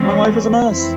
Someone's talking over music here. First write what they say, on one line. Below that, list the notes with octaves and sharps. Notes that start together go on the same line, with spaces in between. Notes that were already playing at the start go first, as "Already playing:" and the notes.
My life is a mess.
Already playing: E2 E3 G#3 C4 C#4
F2 E3 C4 E4